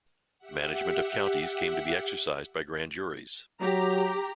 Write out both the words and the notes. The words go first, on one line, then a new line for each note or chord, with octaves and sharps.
Management of counties came to be exercised by grand juries.
G4 E5 F#5
F#3 G4 A#5